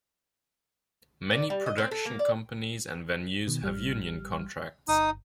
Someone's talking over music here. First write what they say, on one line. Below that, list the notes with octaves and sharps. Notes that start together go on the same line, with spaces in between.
Many production companies and venues have union contracts.
D5
G3
D#5
C4
A4
A#3
D5
B2 D#3
A1 G3 F6
G1 D#4 D#6